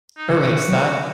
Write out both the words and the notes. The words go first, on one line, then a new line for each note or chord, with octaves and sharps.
Erase that.
D#4
C#3 F#4
D#3
F#3